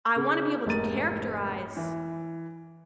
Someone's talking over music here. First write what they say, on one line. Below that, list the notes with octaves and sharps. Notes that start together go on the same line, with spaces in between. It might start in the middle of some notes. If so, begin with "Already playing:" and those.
I wanna be able to characterize
C#3
F1 G#2 A#3 A6 D#7
E3